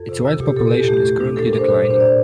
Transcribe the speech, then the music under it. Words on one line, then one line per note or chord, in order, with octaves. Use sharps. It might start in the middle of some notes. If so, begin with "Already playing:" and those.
Its wild population is currently declining.
Already playing: F2 A4
C3
C3
A#2 G4
A#2 A4
E2 G4
G4
A3
G4
A2
D4
A2 A4
A#4
D4
C5
A#2
D4
C5
D5